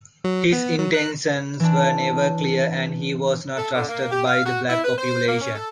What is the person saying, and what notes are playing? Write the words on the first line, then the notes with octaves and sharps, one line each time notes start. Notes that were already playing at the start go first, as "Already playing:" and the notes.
His intentions were never clear and he was not trusted by the black population.
F#3
B3
F#3
F#6
E3 D4
A4
D3
A#3
G4
F5
F#4
E4
B4
C5
A#3
C#4
A4